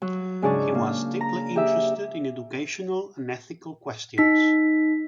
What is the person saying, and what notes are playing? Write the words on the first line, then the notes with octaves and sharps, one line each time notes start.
He was deeply interested in educational and ethical questions.
F#3
G#2 C#3 D4 G#4 D5 C#6
A#3
A#5
G4 G#4 E5
D#4 B6